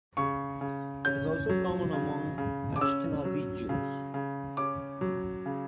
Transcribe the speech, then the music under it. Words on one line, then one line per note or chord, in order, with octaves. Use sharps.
It is also common among Ashkenazi Jews.
C#3 C#6
C#3
C#4 G6
F#3
C#3
C#3
D6
C#4 E6
F#3
C#3
C#3
C#4 D6
F#3
C#3